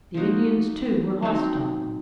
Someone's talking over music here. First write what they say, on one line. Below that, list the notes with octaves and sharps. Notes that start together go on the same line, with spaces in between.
The Indians, too, were hostile.
F3 A#3 D#4 F#4
F#3 C4 D#4